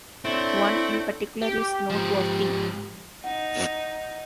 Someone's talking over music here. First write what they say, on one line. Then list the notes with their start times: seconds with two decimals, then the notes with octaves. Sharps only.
One, in particular is noteworthy.
0.25 A3 C4 D4 E4 C#5
1.42 G4
1.90 G#2 F3
3.24 D#4 F#5